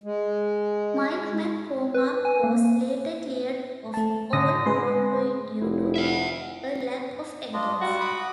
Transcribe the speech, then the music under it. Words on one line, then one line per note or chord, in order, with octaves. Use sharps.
Mike McCormack was later cleared of all wrongdoing due to a lack of evidence.
G#3
B4
G#5
A#3
A3 A5
D3 D#6 A#6
G#3 B4 C6
F1 E4
E5 F#5
D4 F4 D#5
G3 F4 F#4
B5 D6 D#6